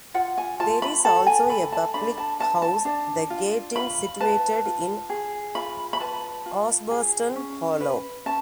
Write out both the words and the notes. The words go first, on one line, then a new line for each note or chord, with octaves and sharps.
There is also a public house, The Gate Inn, situated in Osbaston Hollow.
F4 F#5
G#5
F4 A5
B5
A4 A5
G#5
A4 B5
A5
D4 B5
A5
B4 A5
A5
D4
F4
F4 B5
B4 A5
F4
G#4
F4 B5
B5
B4 A5
F4
G#4
C#4
B4
C#4 A5